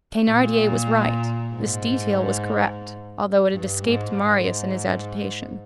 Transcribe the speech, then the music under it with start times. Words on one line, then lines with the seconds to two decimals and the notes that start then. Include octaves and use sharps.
Thenardier was right, this detail was correct, although it had escaped Marius in his agitation.
0.25 A#2
1.55 G#2
3.51 G2
3.83 G#2
4.16 G#2